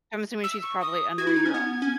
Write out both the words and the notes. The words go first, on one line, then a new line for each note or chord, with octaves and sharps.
I'm assuming she's probably under a year old.
E6
C#6
D#6
F#4 G#6
E4
D#4
C#4
B3
C#4